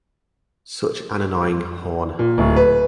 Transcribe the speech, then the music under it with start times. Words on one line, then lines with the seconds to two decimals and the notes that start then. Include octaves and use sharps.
Such an annoying horn.
2.19 A#2
2.38 D1
2.56 B4